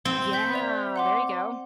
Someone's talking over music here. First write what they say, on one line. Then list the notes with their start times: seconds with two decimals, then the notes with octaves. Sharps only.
Yeah, there you go.
0.05 C4
0.33 G6 B6
0.54 D5 E5 F7
0.96 F#5 C6 D6